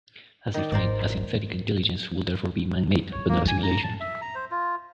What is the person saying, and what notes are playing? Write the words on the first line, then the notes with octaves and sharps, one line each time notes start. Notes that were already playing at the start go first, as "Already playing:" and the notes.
As defined, a "synthetic intelligence" would therefore be man-made, but not a simulation.
D#3 D5
G#1 A#4 C5 D5
G#2 D#3
C#5
A#3
G#5
A#5
A5
E5
A#5
C5
F4